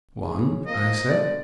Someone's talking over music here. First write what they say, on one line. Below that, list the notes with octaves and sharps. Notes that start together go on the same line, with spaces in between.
"One," I said.
C#4 G#4
F3 A#3 D#5
B2 D3 D5